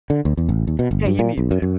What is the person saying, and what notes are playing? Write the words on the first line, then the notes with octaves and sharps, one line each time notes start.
Yeah, you need to.
D3
D2
E2
A1
D#2
B2
G1
G2
A#2
B1
F#2
F#2